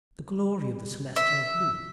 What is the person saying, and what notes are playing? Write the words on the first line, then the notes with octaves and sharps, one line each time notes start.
The glory of the celestial blue!
E5